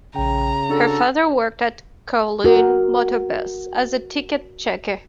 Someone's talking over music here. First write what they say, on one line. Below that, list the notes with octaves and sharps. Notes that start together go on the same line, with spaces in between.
Her father worked at Kowloon Motor Bus as a ticket checker.
A#1 C#3 G5 A#5
D4 F#4 A4
F#4 A#4